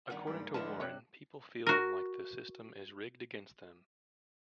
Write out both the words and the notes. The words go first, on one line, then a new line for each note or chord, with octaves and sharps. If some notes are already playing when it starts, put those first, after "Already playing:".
According to Warren, People feel like the system is rigged against them.
E2 G2 D#3 F#5
G#2 G3 A#3
A#1 G#2 D3 F4 B4 A5 E7
C3 D4 C#5 E5 G5 F#6
F#4 A#4